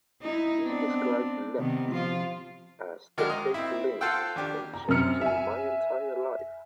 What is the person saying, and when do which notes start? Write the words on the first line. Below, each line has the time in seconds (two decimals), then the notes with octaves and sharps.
He described Letts as "the big link in changing my entire life".
0.22 D#4 E4
0.62 B3 C4 D4
1.59 C3 D#3 B3
1.91 F3 F4
3.18 D3 D#3 F#3 G#3 D4 F6
3.30 D#5
3.54 C4 E4
4.01 F4 A4 C5 F#5 G5 E6
4.36 D#2 D4 G4
4.74 A#5
4.89 F#2 C4 F6 C#7
5.21 E5 G#5